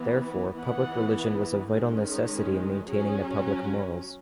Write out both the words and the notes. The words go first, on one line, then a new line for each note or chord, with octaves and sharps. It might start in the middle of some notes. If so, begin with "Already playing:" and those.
Therefore, public religion was a vital necessity in maintaining the public morals.
Already playing: E3 B3
E3 B3 F#5
D#3 G#3 C#4
F#3 C#4 G#4